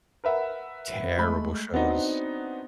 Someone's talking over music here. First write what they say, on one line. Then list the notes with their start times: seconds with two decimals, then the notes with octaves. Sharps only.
Terrible shows.
0.24 A#4 B4 E5 F#5
1.17 G#3 A3 B5
1.74 B3 C4 D4 D#4 F#4